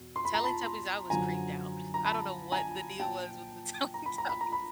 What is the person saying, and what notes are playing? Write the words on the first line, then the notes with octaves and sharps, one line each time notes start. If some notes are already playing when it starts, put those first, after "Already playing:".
Teletubbies, I was creeped out, I don't know what the deal was with the Teletubbies.
Already playing: E2 B2
C6
B5
A#5
A5 B5
F#2 D3 F3 G#5 A#5
A#5
A5 B5
G#5 A#5
A#2 F3 G5 A5
A#5
B5
A#5
B5
A#5
B5